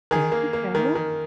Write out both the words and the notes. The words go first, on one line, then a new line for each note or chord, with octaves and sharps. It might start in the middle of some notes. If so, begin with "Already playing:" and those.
There you go.
D#3 G#4
A#3
A#3
D#3
D#3